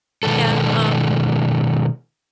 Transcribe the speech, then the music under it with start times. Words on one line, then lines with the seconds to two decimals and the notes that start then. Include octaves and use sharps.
Yeah, um
0.23 B2 D#3 G#3 A4